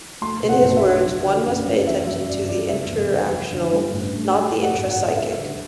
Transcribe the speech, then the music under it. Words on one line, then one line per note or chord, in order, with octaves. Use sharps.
In his words, one must pay attention to the "interactional", not the "intrapsychic".
A3 C6
B2
F#5
B1
E5
D4
F#3
D3
F#2
F#2
E3 E5
F#2 E5
G1 D5
G3 D5
C3 E5
E2
F#1
F#3
D3
G2
A1
A3
G3
A2
F#5
A1
F#5
A1
G3 E5
D3